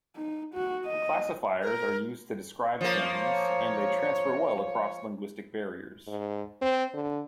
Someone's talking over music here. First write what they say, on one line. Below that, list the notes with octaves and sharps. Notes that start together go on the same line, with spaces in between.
Classifiers are used to describe things, and they transfer well across linguistic barriers.
D#4
F#4
D#5
A#4
F3 A#3 C#5
G#2
C4
D3